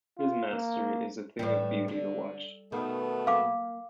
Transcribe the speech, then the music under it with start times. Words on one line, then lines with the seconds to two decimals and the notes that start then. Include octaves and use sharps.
His mastery is a thing of beauty to watch.
0.18 F4
0.51 A#3
1.39 A2 E3 G3
1.88 D3
2.72 B2 D#3 A3 B3
3.27 A#3 F5 D6